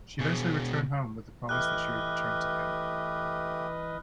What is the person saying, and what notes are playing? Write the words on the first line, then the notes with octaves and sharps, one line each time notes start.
She eventually returned home with the promise that she would return to him.
B2 G#4
E3 A3 G4 B4 D#5 F6 F#6